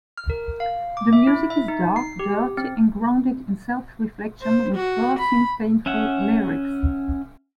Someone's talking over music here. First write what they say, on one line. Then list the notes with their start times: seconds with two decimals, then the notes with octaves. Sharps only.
The music is dark, dirty, and grounded in self-reflection, with piercing, painful lyrics.
0.18 F6
0.30 A#4
0.60 F5
0.97 D6
1.13 E5
1.27 E4
1.50 E5
1.68 D#4
1.96 C7
2.19 G4
2.57 C4
4.42 C5
4.74 F#4
5.19 B5
5.86 C#4 E5 F#5